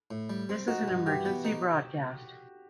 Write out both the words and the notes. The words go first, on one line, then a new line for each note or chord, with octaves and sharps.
This is an emergency broadcast.
A2
G3
C4
D#4 F#4
G2
E3 G4
B3
D#4